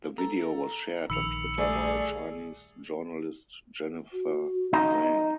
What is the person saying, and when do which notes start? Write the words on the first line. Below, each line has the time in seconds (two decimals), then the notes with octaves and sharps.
The video was shared on Twitter by Chinese journalist Jennifer Zeng.
0.18 A4 A#5
1.10 A#1 D#3 B5 E6 C#7 F7
1.58 G3 A3 G#4 D5
4.13 F#4
4.73 D#4 D#5